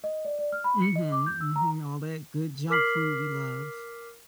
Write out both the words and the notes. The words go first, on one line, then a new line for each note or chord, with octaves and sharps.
Mhm, mhm, all that good junk food we love.
D#5
D5
D5
F6
B5
C#7
D#5
D6
G6
E6
A#5
A#4 D6 F6 B6 C7 F#7